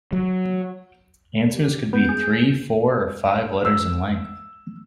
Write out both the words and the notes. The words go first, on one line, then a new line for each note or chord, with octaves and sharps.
Answers could be three, four, or five letters in length.
F#3
G4
B3 G6
G#4
E6